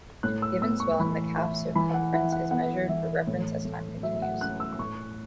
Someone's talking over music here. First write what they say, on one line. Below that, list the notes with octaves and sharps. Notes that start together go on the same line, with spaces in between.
Given swelling, the calf circumference is measured for reference as time continues.
A2 F#6
E6
B3 E6
C#6
E3 B5
E4
E3 B5
F#5
E4 F#5
F#5
B3 F#5
E3 E5
A2
A3
F#3 E5
E5
F#5
C#4 F#6
E6
A2 C#6